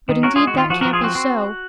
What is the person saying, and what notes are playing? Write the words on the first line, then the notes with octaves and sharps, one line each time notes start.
But indeed that can't be so.
D#3
C#4 F#4 A#4
F4 G#4
G#3
F#4
D#3 F4
F3 F#4
F#4 A#4
F3
F4 G#4
C4 F#4
C4